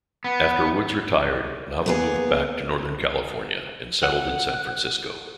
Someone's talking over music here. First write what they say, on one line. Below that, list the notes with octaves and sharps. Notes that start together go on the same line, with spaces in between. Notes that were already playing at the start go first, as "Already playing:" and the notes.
After Woods retired, Nava moved back to Northern California and settled in San Francisco.
B3
A#3 B3 G#4
F#5